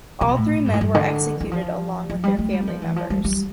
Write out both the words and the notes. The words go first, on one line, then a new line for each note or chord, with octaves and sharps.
All three men were executed along with their family members.
C3
B2
A2
G2
A2
G2
D3
E3
F3
F3
G3
A3
G3
F3
E3
F3
G3
G3